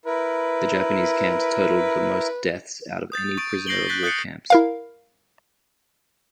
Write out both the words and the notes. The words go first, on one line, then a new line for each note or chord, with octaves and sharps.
The Japanese camps totalled the most deaths out of any prisoner of war camps.
E4 A#4 B4
D#6 G6 A6
C#6 A6 D7
G6 A#6 C7 D7 F#7 G7
F#6 G6 A6 B6
D#6 F#6 G6 A6 C7 C#7
E4 A#4 F5